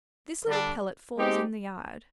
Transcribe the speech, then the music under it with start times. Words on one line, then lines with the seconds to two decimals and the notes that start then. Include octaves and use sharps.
This little pellet falls in the yard.
0.46 D3 G3 D4
1.16 G#3 C4 D#4 G4